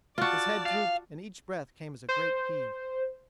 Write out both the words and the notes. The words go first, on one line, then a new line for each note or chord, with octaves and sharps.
His head drooped and each breath came as a great heave.
F4 F#4 D5 A5
F5
C5